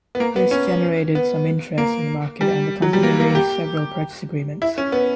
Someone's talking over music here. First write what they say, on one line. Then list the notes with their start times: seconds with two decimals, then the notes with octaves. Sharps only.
This generated some interest in the market and the company arranged several purchase agreements.
0.15 B3
0.20 A#3
0.36 B3
0.51 C#4
1.15 B3
1.78 A#3
2.41 G3
2.82 F#3
2.93 G3
3.03 A#3
3.20 A#3
3.35 G4
4.62 E4
4.78 C#4
4.92 B3